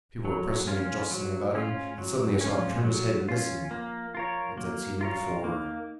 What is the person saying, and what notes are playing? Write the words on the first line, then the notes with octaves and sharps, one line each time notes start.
People were pressing and jostling about him, and suddenly I saw him turn his head and listen, as I'd seen him before.
F#2 F#3
F#2
F2 C#4 F4
F#2
G#2 F#3
C#4 F4
G#2
F#2 F#3
F#2
C#4 F4
G#2
F3 F#3
C#4 F4
A#3
F4 A#4 C#5
F#3 A#3
F4 A#4 C#5
F4
A#3 D#4